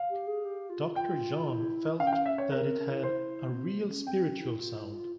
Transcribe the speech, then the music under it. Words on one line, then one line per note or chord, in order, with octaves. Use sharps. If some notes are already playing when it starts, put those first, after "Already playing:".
Doctor John felt that it had "a real spiritual sound".
Already playing: F5
G4
G#4
G4
F4
F4 G5
E4
C#4 F5
G5
F5
E5
C#5
C4 A#4
C4
C#4
E4
C5
A#3
C4
A#3
C#4
C4 G5
C#4
E4
F4
E4
F4